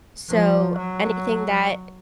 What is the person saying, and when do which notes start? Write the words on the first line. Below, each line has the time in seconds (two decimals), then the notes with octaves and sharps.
so anything that
0.29 F3
0.77 F#3